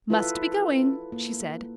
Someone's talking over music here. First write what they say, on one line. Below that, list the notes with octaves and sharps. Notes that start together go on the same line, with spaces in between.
"Must be going," she said.
E4 F4 A4 B4
A#3